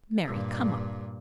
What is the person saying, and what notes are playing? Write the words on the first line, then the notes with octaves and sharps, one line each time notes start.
Marry, come up!
G2 A#2